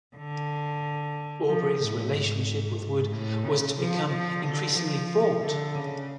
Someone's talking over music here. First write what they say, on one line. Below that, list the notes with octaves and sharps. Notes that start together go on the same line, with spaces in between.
Aubrey's relationship with Wood was to become increasingly fraught.
D3
F3
A2
G#2
G#2
A2
C#3
F3
F3
D3
F3
D3
C#3